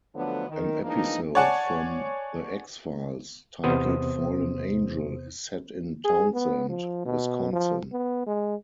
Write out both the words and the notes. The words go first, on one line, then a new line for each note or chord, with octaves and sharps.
An episode from "The X-Files" titled "Fallen Angel" is set in Townsend, Wisconsin.
D3 F3 F#3 A3 B3 D4
D#3
E3 F3 G#3 A#3 D4 D#4
C#5 D5 F#5 G#5 A5
E2 C3 B3 C5 D#6
G#4
B3
F3
B2
F3
B3
G#3